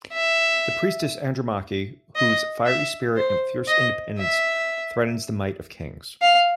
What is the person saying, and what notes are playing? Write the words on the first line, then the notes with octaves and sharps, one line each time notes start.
The priestess Andromache, whose fiery spirit and fierce independence threatens the might of kings.
E5
D#5
E5
C5
D#5
E5
F5